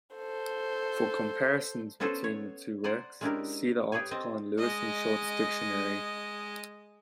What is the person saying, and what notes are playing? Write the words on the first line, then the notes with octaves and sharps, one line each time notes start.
For comparisons between the two works, see the article on Lewis and Short's dictionary.
A4 C5
B3 C#4 F#4 A4 B4 C5
C#5
C5 D5 F#5 G#5 A#5
G#3 C#4 D4 E4 G4 A#4
G4 G#4 B4 C#5 G#5
C4 D#5 A5
G#3 D#5